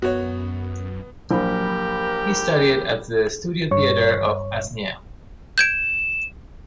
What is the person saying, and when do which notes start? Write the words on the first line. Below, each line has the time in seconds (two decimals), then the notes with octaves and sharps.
He studied at the studio-theatre of Asnières.
0.02 F#2 B3 F#4 C#5
1.31 A#1 F#3 G4 A#4 B5
3.71 G2 C#5 C#6
5.58 G6 G#6 D7 E7